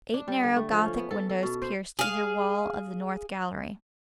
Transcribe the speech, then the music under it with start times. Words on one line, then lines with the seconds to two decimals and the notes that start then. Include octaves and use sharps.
Eight narrow Gothic windows pierced either wall of the north gallery.
0.14 D4
0.28 G3
0.43 D3
0.56 A3
0.71 F3
0.84 C#4
0.98 B3
1.11 A4
1.29 A4
1.43 B2
1.62 C5
1.99 G#4 F5